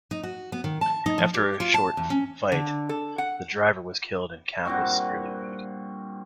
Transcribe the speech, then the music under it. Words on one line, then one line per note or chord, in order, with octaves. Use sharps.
After a short fight, the driver was killed and Kapp was severely wounded.
D#4
F#4
B3
D#3
A5
D#4
F3
G4
F4
A5
E2
C#4
D3
A4
F#5
G2 A#2 C4 F#4